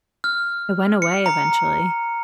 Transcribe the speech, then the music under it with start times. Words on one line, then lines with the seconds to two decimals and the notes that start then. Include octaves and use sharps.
it went away eventually.
0.24 F6
1.02 C#7
1.26 A#5